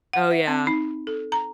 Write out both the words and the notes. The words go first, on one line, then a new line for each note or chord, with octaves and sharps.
Oh, yeah.
F#5
E5
C4
D#4
A4
A#5